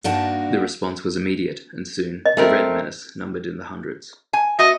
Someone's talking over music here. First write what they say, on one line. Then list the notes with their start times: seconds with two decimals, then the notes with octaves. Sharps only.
The response was immediate, and soon, "The Red Menace" numbered in the hundreds.
0.04 G2 A#3 D4 D#4 F#4 A5
2.26 D#5
2.37 A3 C4 A#4
4.33 G#5
4.59 B3 F#4 D#5 E5